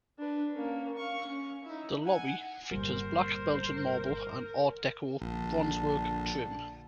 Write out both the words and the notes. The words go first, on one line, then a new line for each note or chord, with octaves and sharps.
The lobby features black Belgian Marble and Art Deco bronzework trim.
D4 B4
A#3 C#4
F5 C#6
C#4
D#4 E4
F#5 G#5
G1 A#2 G3 A#4 C5
A#1 D3 A5